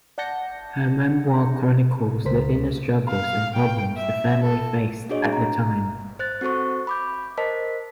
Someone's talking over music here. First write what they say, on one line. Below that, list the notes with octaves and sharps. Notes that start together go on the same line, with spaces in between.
Her memoir chronicles the inner struggles and problems the family faced at the time.
D5 F#5 A5 G6 A#6 C#7
C#2 A#4 C5 B6
F5
G5
E5
A4
D4 F#4 G#4 C#5 D#5
A#5
C5 F#6 A6
C4 F#4 A4 C5 C#6
B5 D6 G6
A#4 C5 D#5 A5 B6